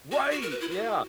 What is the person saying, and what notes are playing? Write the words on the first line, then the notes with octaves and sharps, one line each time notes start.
Right! Yeah.
F#4
F#4
A#4
B4
E4
F#4